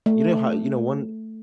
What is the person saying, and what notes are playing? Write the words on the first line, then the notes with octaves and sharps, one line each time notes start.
you know how you know, one
A3